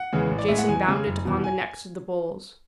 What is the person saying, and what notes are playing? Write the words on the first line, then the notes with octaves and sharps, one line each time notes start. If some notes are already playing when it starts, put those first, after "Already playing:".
Jason bound it upon the necks of the bulls.
Already playing: F#5
E2 C#3 E3 G#3
A1
D5
A2 G#3 E5
F#5
E2 G#5
C#3 G#3
F#1
E2 B2
G#5